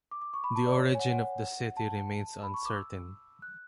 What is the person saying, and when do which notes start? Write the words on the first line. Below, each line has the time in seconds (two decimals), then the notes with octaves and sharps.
The origin of the city remains uncertain.
0.11 D6
0.22 D6
0.34 C#6
0.44 B5
0.55 A5
0.66 D5
0.77 C#5
0.89 C#5
0.95 G#5
0.99 F#5
1.11 F#5
1.77 A5
2.43 B5
2.54 C#6
2.65 D6
2.76 E6
3.42 F#6